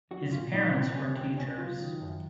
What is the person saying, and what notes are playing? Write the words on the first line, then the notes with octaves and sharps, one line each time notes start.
His parents were teachers.
F#3 F#4
A#2 F4
A#2 D#4
A#3 C4
C3 C#4
C#2 C4
C#2 C#4
F#3 F4
D#3
F#2